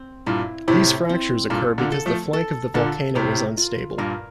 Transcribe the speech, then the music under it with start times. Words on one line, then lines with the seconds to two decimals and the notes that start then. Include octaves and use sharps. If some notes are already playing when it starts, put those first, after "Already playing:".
These fractures occur because the flank of the volcano is unstable.
Already playing: C4
0.26 G2 A#2 E4
0.68 A2 C3 E4
1.09 C4
1.50 G2 A#2 A4
1.78 A#2 D3
1.92 A4
2.06 F3 A3
2.33 A4
2.74 A#2 D3 A4
3.15 A2 C3 A#4
3.57 F4
3.98 G2 A#2 A#4